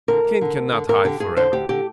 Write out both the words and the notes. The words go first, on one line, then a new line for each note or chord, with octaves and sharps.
Kane can not hide forever.
D3 A#4
D2
D3
D2
D3
D#2 A#4
D3 G4
G2 G#4
D3 C5
D2 G4
D3 G4